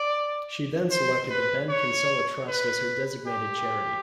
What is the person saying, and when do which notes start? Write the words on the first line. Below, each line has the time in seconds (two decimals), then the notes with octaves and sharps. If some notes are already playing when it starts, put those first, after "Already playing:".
She selected the Ben Kinsella Trust as her designated charity.
Already playing: D5
0.90 C5
1.30 B4
1.70 C#5
2.48 B4
3.27 G4